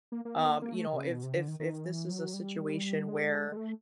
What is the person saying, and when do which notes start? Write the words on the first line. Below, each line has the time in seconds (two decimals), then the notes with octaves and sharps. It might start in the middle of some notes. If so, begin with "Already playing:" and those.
um, you know, if if if this is a situation where
0.12 A#3
0.25 A#3
0.36 B3
0.49 A#3
0.62 A#3
0.74 A3
0.87 D#3
0.93 C3
0.98 C#3
1.11 B2
1.23 C3
1.35 D3
1.48 D#3
1.60 D#3
1.85 E3
2.10 F#3
2.34 G3
3.08 G#3
3.52 G#3
3.57 A3